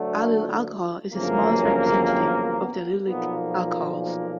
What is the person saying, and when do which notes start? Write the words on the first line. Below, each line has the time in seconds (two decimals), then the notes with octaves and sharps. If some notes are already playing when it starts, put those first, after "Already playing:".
Allyl alcohol is the smallest representative of the allylic alcohols.
Already playing: D2 D3 F#3 A3
1.12 G1 F#2 C#3 F3 A#3
1.60 C#4
2.09 C4
2.58 B3
3.06 B1 A#2 F3 A#3 B3
4.04 A#3